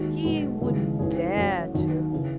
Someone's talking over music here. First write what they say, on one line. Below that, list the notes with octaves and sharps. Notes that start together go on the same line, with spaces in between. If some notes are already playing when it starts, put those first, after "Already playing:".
He wouldn't dare to.
Already playing: D#2 D#3 G#3 F#4
B1 B2 G#3
D#2 C#3 E3 G#3
A1 G#2 E3 G#4
A1 A2 F#3 F#4
D#2 D#3 F#3
C#3 E3